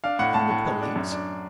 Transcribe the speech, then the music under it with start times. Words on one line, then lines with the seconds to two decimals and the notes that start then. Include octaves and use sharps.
"Two napoleons."
0.04 D4 F5
0.19 A2 F#5
0.34 A2 A5
0.50 A2
0.66 G#3
0.81 D4
0.96 F#2
1.12 D4